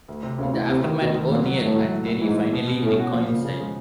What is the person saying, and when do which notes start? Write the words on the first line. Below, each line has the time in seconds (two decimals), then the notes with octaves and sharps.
In the aftermath, O'Neill and Terry finally reconcile.
0.08 D2
0.23 C3
0.38 D2 C#3
0.53 E3
0.69 D2 C3
0.84 D#3
0.99 D2 B2
1.15 D#3
1.31 A#2 F#3
1.46 F#3
1.61 A2 F#3
1.76 F#3
1.92 A2
2.07 A2
2.21 G#2 E3
2.37 E3
2.53 B2
2.67 B2
2.82 A2 C#4
2.98 F#4
3.13 A#2 F3
3.29 C#3
3.45 C#3
3.60 G#3